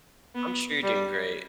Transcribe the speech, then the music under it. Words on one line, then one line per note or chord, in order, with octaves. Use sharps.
I'm sure you're doing great.
B3
G3